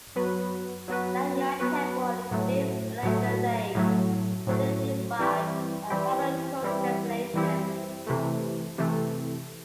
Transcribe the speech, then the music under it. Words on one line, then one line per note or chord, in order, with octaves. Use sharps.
Langya temple and the Deep Elegant Lake, located nearby, are popular tourist destinations.
F#3 B3 F#4 B4
F#3 B3 F#4 B4
F#3 B3 F#4 B4
A2 F#3 A3
A2 F#3 A3
A2 F#3 A3
A2 F#3 A3
E3 G3 C4 E4 G4
E3 G3 C4 E4 G4
E3 G3 C4 E4 G4
E3 G3 C4 E4 G4
C3 E3 A3
C3 E3 A3